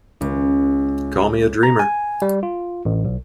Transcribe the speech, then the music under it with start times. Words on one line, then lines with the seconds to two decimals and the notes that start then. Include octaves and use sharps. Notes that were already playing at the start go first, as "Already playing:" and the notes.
Call me a dreamer.
0.21 C#2
1.63 A#5
1.79 G#5
2.22 G3
2.43 F4
2.85 A1
3.05 B1